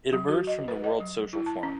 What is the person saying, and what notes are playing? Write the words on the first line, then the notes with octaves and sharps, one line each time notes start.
It emerged from the World Social Forum.
F#3
F#4
D#5
B4
D#5
F#3
E4
A5
C#4